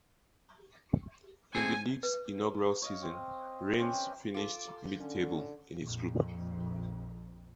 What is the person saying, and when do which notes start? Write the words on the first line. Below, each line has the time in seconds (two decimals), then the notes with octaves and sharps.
In the league's inaugural season, Rennes finished mid-table in its group.
1.55 C4 G#4 A4 G#5
2.03 B4
2.82 C#5 D#5 F5
3.02 C4
3.79 C4 C#4 G4 B4
4.34 F4 A4 D6
5.00 D3 C#4
5.80 A#1 F2